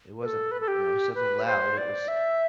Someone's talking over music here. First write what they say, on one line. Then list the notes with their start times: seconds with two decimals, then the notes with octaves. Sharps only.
It wasn't, you know, something loud, it was,
0.22 B4
0.25 A4
0.51 B4
0.60 A4
0.68 G4
1.15 B4
1.46 C5
1.77 D5
2.08 E5